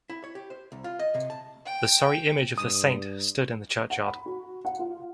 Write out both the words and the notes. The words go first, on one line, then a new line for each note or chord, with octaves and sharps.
The sorry image of the saint stood in the churchyard.
E4
C#5
G4
C5
C2
F4
D#5
C3
A5
G5
G2 D#6
F#5
B5
F#4
F#5
F4